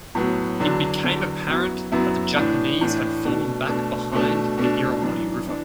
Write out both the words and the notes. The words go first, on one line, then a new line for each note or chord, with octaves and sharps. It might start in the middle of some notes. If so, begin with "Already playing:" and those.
It became apparent that the Japanese had fallen back behind the Irrawaddy River.
A2 F#3 B3
E2 D3 F#3 D4
E2 D3 F#3 D4
F#2 F#3 B3 E4
F#2 F#3 B3 E4
A2 E3 D4
A2 E3 D4
B2 A3 D4
B2 A3 D4
B2 A3 D4
B2 A3 D4
F#2 E3 D4
E3 D4